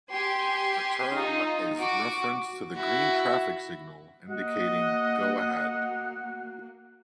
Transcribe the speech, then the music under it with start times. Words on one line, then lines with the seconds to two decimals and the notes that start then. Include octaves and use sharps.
The term is a reference to the green traffic signal, indicating "go ahead".
0.12 G4 G#5 C6
1.14 D#4 F4
1.81 F#4 D6
2.75 E4 F#4
4.30 A#3 F#4 D#5 F#5